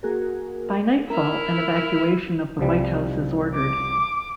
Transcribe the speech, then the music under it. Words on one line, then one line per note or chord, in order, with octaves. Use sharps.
By nightfall, an evacuation of the White House is ordered.
A#3 F#4 G#4 A#4
E4 A#4 E5 F6
C2 F3 G3
D6